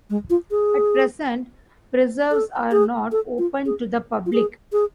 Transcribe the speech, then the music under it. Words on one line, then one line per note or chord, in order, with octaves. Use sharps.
At present, preserves are not open to the public.
G#3
F4
G#4
A4
G#4
A4
F4
G#4
F4
G#4
G#4